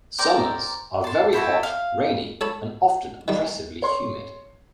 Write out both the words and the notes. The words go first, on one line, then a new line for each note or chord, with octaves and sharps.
Summers are very hot, rainy and often oppressively humid.
A#4 C5 D5 G5
A5 C6
C4 E4 F#4 A4
F5
A4 C#5 A5 B5
D#3 G3
C#5 C6